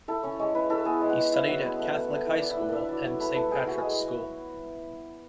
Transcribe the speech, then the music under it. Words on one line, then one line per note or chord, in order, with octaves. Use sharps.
He studied at Catholic High School and Saint Patrick's School.
E4 A4
C#4 C#5
G#3 C#5
E4 B4
E4 A4
B3 G#4
G#3
F#5
G#3
E4 E5
F#3
B3
A3
A3
A3
E4 F#5
E4 D5
E5
E4 F#5
D4 D5 E5
F#3 D5
F#3 C#5
A3 B4
E4 A4
A3 G#4
E4 F#4
G#3 G#4